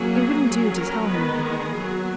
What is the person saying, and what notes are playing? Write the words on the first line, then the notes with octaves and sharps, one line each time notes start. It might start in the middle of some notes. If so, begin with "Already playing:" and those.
It wouldn't do to tell him of the girl.
Already playing: F#3 A#3 C#4 G#4
F#3 C#4
A#4
D#3 G#3 B3 B4
G#4
F#3 B3